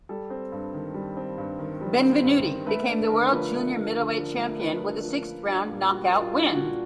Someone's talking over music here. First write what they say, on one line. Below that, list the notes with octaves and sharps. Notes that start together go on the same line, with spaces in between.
Benvenuti became the world junior middleweight champion with a sixth-round knockout win.
G3 A4
C4
G2
D#3
G3
C4
G2
D#3
G3
C4
G2
D#3
A3 B4
D4 B4
D3 A#4
F3 B4
A3
D4
D3
F3
A3
D4 B4
D3
F3
A#3
D4
A#2
G3 F#4
F#4
A#3
F4
D4 F4
A#2 F#4